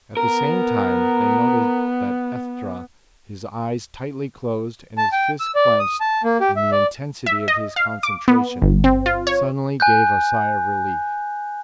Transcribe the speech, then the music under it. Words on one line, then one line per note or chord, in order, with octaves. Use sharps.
At the same time they noted that Estra, his eyes tightly closed and his fists clenched in the intensity of his concentration, suddenly gave a sigh of relief.
B3 A#4
A5
G5
E6
D5
D#6
A5
A#3
G4
E5
D5
E5
D#5
F5
D6
B3
G1
C4
F4
C#5
G#5 F#6 G6